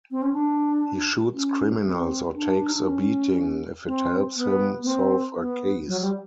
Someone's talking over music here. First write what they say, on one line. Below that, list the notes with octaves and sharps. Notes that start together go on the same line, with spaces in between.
He shoots criminals or takes a beating if it helps him solve a case.
C4
C#4
D4
C#4
C4
D4
D#4
D4
C#4
C4
B3
B3
C4
B3
F#3
G3